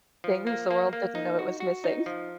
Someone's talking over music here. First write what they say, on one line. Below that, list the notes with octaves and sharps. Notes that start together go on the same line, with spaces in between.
Things the world didn't know it was missing.
F3
A#3
A#3
A#3
D#4
F#4
F#4
D#4
F3